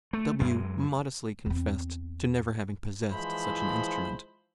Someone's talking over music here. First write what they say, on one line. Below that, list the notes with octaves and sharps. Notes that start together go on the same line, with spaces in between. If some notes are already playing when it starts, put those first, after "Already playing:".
W---- modestly confessed to never having possessed such an instrument.
A3
F#2 G#3
E2 C4
E3 F3 G#3 E4 C5 B5